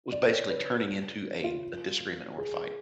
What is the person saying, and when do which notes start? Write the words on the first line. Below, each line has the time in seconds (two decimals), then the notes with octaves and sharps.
was basically turning into a a disagreement or a fight,
0.12 D5
0.31 C#5
0.50 B4
1.44 F4
2.38 G#4